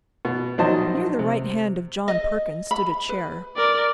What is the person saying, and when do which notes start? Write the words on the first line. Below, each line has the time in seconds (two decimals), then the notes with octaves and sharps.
Near the right hand of John Perkins stood a chair.
0.25 B2
0.58 A#1 D#3 F#3 C5 D#5 A5
1.19 C3
2.08 D#5
2.71 B5
3.09 B4
3.57 A#4 D5